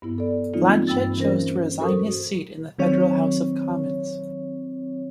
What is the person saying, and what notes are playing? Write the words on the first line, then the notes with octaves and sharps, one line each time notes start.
Blanchet chose to resign his seat in the federal House of Commons.
G2 B3 E4
A4 D5
E3 G3 A#3 C4 D#4 F4
G2 G5 E6 A6
E3 C#4 A#4 C5 A#6
F#4 A4 A#4 C5 C#6 D#6
D#3 F#3 C4 C#5